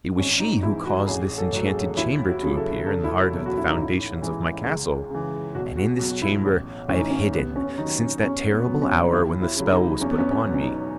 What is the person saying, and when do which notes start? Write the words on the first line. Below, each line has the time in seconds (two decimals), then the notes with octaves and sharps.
It was she who caused this enchanted chamber to appear in the heart of the foundations of my castle; and in this chamber I have hidden since that terrible hour when the spell was put upon me.
0.18 G#1 C#4
0.40 D#4
0.62 G#2 E3 E4
0.85 F#4
1.07 A1 G#4
1.38 A4
1.52 A2 F#3
1.67 G#4
1.96 D#2 E4
2.27 F#4
2.42 C#3 F#3
2.57 A4
2.86 F#1 A4
3.04 E4
3.16 F#4
3.31 E2 B2 F#3
3.46 F#4
3.58 E4
3.69 D#4
3.76 A1
3.81 E4
4.21 G#2 E3
4.65 C#2
5.10 C#3 E3
5.55 B1 F#4
5.77 F#4
5.99 B2 F#3 F#4
6.10 F#4
6.22 E4
6.44 A1
6.88 A2 E3 C#4
6.99 D#4
7.10 C#4
7.33 D#2 B3
7.56 C#4
7.78 D#3 F#3 D#4
8.00 C#4
8.23 E2 C#4
8.53 B3
8.67 B2 F#3
8.82 C#4
9.12 D#2 E4
9.42 E4
9.56 C#3 F#3
9.71 D#4
10.01 E2 C#4
10.11 B3
10.18 C#4
10.31 C#4
10.46 B2 F#3
10.54 C#4
10.61 D#4